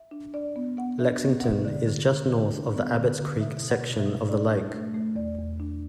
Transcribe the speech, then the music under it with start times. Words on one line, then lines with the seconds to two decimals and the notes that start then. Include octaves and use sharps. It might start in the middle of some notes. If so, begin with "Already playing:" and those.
Lexington is just north of the Abbotts Creek section of the lake.
Already playing: E5
0.11 D4
0.34 D4 D5
0.56 B3
0.77 B3 F#5
0.99 D4 E5
1.21 B3
1.40 F#5
1.44 B2 E5
1.65 D3 D5
1.87 D3
2.09 D3
2.32 D3
2.54 D4
2.74 B3
2.97 D3
3.19 D3
3.41 B2 E5
3.62 B2
3.70 F#5
3.85 B2
3.99 E5
4.06 B2
4.28 D4 D5
4.50 D4
4.72 A3
4.94 A3
5.15 E2 D5
5.38 E2
5.60 D4